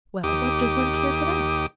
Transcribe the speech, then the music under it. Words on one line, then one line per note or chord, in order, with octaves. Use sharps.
Well, what does one care for that?
D#2 G4 D6 D#6